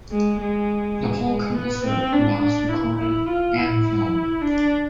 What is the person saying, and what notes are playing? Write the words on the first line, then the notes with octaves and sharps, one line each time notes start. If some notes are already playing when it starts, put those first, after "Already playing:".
The whole concert was recorded and filmed.
G#3
G#3
G#3
B3
C4
D4
D4
E4
E4
F4
E4
D4